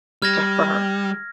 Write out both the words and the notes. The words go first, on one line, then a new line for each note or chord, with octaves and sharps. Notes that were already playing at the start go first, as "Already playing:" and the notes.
to for her.
G3 F6 G#6 A#6